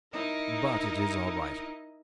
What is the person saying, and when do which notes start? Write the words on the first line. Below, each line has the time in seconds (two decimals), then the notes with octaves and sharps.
But it is all right.
0.13 D#4 E4 A#4 D#5